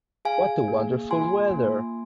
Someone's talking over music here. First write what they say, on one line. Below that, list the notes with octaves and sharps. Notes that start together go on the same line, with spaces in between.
What a wonderful weather!
G#4 F5 G#5
A#3
F4 G#5 C6
A#3